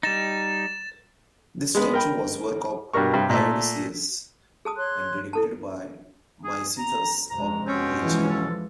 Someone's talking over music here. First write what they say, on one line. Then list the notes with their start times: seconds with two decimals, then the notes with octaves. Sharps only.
This statue was a work of Dionysius, and dedicated by Micythus of Rhegium.
0.03 G3 D#4 A6 E7
1.75 G#3 B3 B4
1.93 A#4 G5 B5
2.93 G2 B2 D4 A#4 C#6
3.13 G2 C3
3.30 A#2 A3
4.65 G#4 A5 D#6
4.77 C#5 C6 F#6
5.33 E4 A4 A5
6.44 G#4
6.78 A#5
7.30 F2 C3 G#3 A#5
7.67 B2 C4 C#4
7.98 E3 F3 G#3
8.29 A4